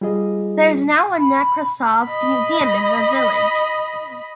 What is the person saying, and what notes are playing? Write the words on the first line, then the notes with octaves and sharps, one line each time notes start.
There is now a Nekrasov museum in the village.
G3 F4 G#4 D#5
B5
D#5 B5